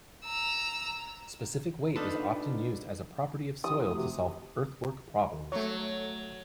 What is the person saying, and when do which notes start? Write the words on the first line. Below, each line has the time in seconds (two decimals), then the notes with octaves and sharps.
Specific weight is often used as a property of soil to solve earthwork problems.
0.25 A#5 E6
1.95 D4 D#4 F4 A4 B4
3.64 E3 E4 G4 D#6
3.83 F3 A3
3.96 C3 F#4
5.52 F#3 A3 C#5